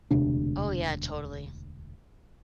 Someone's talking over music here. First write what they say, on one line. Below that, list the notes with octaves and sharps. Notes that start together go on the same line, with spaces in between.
Oh, yeah, totally.
E1 D2 C3 D4